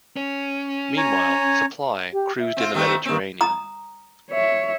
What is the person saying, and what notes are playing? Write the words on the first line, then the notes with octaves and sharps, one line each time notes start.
Meanwhile, "Supply" cruised in the Mediterranean.
C#4
C#5 G#5 A#5
G4
E5
C4 F4
D#3 A3 C4 G4
D#3 A#3 C4
A#5 D#6
C#5 E5